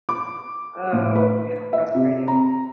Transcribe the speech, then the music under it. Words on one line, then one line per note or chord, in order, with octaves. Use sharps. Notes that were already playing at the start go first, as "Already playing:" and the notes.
Oh, how frustrating.
D6
A2
B4
E5
C3
A#5